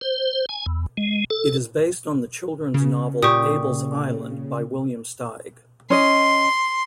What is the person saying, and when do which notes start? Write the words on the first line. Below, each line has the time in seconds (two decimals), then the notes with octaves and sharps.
It is based on the children's novel "Abel's Island" by William Steig.
0.01 C5
0.49 G#5
0.66 E2
0.97 G#3
1.30 A4
2.74 C#3
3.23 A#2 G4 C#6 D#6
5.90 C#4 D#5 C6